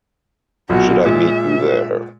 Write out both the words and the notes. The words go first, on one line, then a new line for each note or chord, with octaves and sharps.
Should I meet you there?
B1 A#2 F#4
A#2 G#3 E5